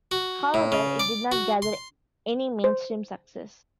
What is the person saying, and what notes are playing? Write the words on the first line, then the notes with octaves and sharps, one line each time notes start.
However, it did not gather any mainstream success.
F#4
A2
C#3
D5
F#4
C6
C5